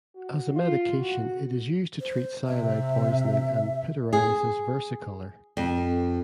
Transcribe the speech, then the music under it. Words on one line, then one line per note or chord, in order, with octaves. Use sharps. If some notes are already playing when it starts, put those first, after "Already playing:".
As a medication it is used to treat cyanide poisoning and pityriasis versicolor.
F#4
F4
F#4
C5
C3 E5
G#4
F2